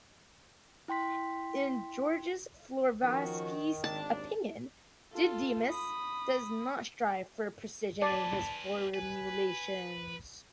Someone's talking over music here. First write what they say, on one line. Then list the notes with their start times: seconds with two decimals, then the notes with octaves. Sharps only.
In Georges Florovsky's opinion, Didymus does not strive for precision in his formulations.
0.88 E4 G5 C6 B6
3.03 D#3 F3 C#4 F#4
3.84 G#1 D#2 D4 A5
5.13 F4 A4
5.69 B5 D#6
8.02 G#4 B4 D5 A5
8.94 B4 G#5